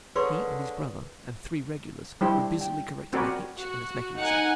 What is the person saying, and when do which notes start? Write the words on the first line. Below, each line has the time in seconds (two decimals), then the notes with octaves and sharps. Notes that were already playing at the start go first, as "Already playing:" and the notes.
He and his brother and three regulars were busily correcting a hitch in its mechanism.
0.16 D3 G#4 A#4 B4 C#5 C6 C#6
2.21 G3 D4 E4 C5 G5
2.61 G5
3.13 C4 F#4 A#4 D5 G#5 B5
3.57 F#4
4.17 D#4 F#5 G#5